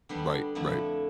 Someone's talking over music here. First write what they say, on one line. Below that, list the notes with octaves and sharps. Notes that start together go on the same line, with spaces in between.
Right, right.
D3 G3 B3 D4
F2 D3 A3 E4